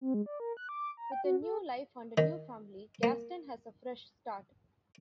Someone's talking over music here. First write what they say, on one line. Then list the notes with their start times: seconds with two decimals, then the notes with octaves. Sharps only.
With a new life and a new family, Gaston has a fresh start.
0.01 C4
0.14 G#3
0.26 D5
0.40 A#4
0.57 F#6
0.69 D6
0.97 A#5
1.12 G5
1.24 F#4
1.42 A4
2.18 D#3
3.03 A#3